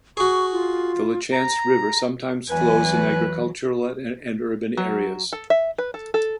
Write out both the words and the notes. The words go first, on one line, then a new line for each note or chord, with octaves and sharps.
The Lachance River sometimes flows in agricultural and urban areas.
F#4 G#4 C#6
F4
A#5
E2 E3 F#3 B4 G#5
F#3
A4
E5
B4
A4
A4